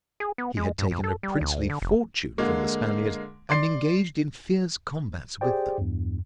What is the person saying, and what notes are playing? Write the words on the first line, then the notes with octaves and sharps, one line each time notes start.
He had taken a princely fortune from the Spaniards and engaged in fierce combats with them.
G#4
B3
G#3
G2
F2
A4
G3
D2
D3
F1
D3 G#3 A#3
D5 C6 C7
G4 G#4 C5 D5 G5
E2 G2